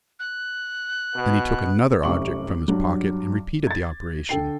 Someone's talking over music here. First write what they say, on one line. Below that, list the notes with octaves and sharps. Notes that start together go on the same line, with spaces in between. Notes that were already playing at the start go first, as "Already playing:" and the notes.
Then he took another object from his pocket and repeated the operation.
F#6
B2 B3
F1 C2 F#2 C#6 D6 F#7
G2 F#3
G#6 A6
D3 A4 G5 C7